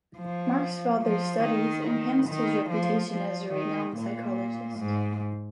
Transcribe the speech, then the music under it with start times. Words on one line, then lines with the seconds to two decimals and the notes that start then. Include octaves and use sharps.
Mark's father's studies enhanced his reputation as a renowned psychologist.
0.18 F3
1.02 F3
1.44 D#3
2.28 D#3
2.70 F3
3.12 F3
3.53 D#3
3.96 A#2
4.79 G#2